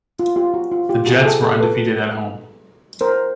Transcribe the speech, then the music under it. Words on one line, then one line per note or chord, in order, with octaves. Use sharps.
The Jets were undefeated at home.
F4
F4 G4
F#4
F4
F4 G4
F#4 G#4
G#4
G4 A4
G4 A4
A4 B4
A#4 C5